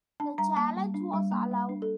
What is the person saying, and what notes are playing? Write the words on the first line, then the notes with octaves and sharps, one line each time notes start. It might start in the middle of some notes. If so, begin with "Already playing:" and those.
The challenge was allowed.
D4 A5
G3 A#5
A#3 A5
G3
D4
G3
A#3
G3
D4
A4